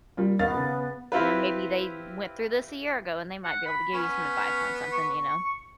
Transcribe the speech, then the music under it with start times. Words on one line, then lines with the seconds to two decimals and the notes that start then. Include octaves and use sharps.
you know, maybe they went through this a year ago and they might be able to give you some advice on something, you know?
0.17 G3 A#3 F4
0.39 D#3 B3 F5 A6
0.54 C#3
1.12 C4 E4 F4 G4 B4
3.44 F#5
3.66 B5
3.93 B3 C#4
4.92 C#6